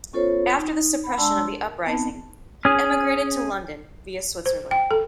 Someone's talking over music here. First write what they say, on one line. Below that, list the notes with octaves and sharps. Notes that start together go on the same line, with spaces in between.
After the suppression of the uprising, he emigrated to London via Switzerland.
B3 C#4 F4 A4 C5 C#5
D#4
F#5 B5
G#3 D4 D5 A5 C6 E6
A#4
B3 C4 D#4 A5 B5
C#4 G#4
C5
G5
A4